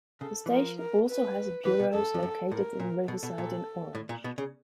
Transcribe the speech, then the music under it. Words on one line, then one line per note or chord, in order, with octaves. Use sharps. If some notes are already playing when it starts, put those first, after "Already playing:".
The station also has bureaus located in Riverside and Orange.
C#3 A4
E3
F3 A#4
A#4
B4
E3 B4
B2
F#2 A4
F2
F#2
A2 A#4
A#2
B2 A4
B2
A#2
A2
A#2
B2
C#3